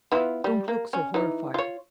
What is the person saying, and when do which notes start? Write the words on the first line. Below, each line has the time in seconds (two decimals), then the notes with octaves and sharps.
Don't look so horrified.
0.12 B3 E4 F4
0.44 G3
0.68 A#3
0.93 C#4
1.14 E3 D#4
1.54 F4 C#5